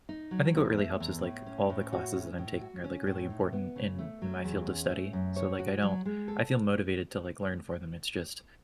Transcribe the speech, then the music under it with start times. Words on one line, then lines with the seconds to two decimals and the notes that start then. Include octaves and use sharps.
I think what really helps is, like, all the classes that I'm taking are, like, really important in in my field of study, so, like, I don't I feel motivated to, like, learn for them, it's just
0.09 D#4
0.31 F#3
0.55 E2
0.78 A3
1.00 E2
1.23 A2
1.46 C#4
1.69 A2
1.93 F#4
2.15 C#4
2.38 A2
2.61 F#4
2.84 C#4
3.07 A2
3.30 D#4
3.53 B3
3.76 C#3
3.99 A3
4.22 F#3
4.44 E2
4.68 C#4
4.90 A3
5.13 F#2
5.36 C#5
5.59 F#4
5.82 F#3
6.05 G#3
6.28 A4